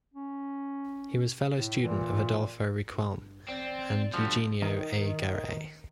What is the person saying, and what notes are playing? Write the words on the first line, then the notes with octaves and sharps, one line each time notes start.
He was fellow student of Adolfo Riquelme and Eugenio A. Garay.
C#4
A2
A#2 E3
G2
A1 C4 D5
D3 F3 G3 F#4 G4
D#3